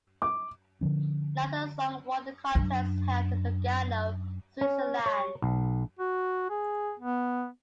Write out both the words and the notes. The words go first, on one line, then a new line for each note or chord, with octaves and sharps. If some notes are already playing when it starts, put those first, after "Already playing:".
Neither song won the Contest, held in Lugano, Switzerland.
D6
D3 D#3 F3 C#4
F#2 D4
C#4
C#5
B1
F#4
G#4
B3